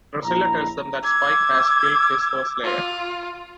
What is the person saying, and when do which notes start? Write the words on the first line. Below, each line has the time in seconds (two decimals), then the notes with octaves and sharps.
Drusilla tells them that Spike has killed his first Slayer.
0.24 A#1 E4 A#5
1.04 D6 E6 G#6
2.63 F4